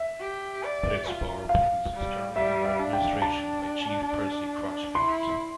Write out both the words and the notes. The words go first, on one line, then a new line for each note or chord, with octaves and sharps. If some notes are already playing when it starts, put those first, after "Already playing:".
Pittsboro Police is currently under administration by Chief Percy Crutchfield.
Already playing: E5
G4
D5
F4
F5
G3
G3 E5
E5
D4
G5
A5
E4 C6